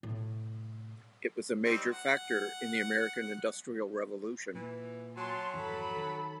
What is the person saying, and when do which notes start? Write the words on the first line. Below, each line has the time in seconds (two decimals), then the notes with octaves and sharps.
It was a major factor in the American Industrial Revolution.
0.03 A2 C3
1.65 G3 C4 D#4
1.92 F#5
4.55 A#2 E3
5.17 F#3 G#5 A5 C6
5.54 G#1 F2 E3 A4 B5
5.96 D#3